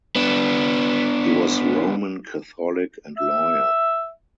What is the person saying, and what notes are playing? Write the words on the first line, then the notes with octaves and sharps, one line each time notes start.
He was Roman Catholic and lawyer.
B3 D4
E5